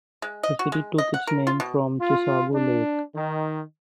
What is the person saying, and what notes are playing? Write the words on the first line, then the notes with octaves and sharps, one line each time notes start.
The city took its name from Chisago Lake.
G#3
D#5
F#4
G#3
D#5
F#5
A#4
F4
B2
F4
D4
D#3